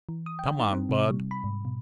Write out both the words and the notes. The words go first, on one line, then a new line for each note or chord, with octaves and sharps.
Come on, Bud.
E3
D#6
G5
D#4
C4
C3
G3
B5
G#2
B2